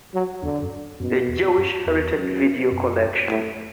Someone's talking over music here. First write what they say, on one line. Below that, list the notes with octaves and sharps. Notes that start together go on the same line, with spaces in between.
The Jewish Heritage Video Collection.
F#3
E2 D3
F#2
F#2 B2
E2
F#2
E2
F#2
F#2
A2